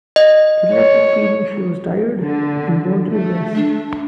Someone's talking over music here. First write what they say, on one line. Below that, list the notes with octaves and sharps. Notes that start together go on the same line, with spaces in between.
It left her feeling she was tired, and wanted rest.
D#5
C#5
D3
A3
D4